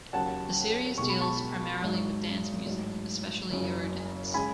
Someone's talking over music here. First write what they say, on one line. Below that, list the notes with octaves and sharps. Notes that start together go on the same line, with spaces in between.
The series deals primarily with dance music, especially Eurodance.
D#2 C#3 F#3 F#5 A5
B1 B2 G#3 C#6
B5
A5 C#6
G#1 G#2 F#3
A1 G#2 F#3
F#1 F#2 C#3 F#3
C#3 G#3 G#5 B5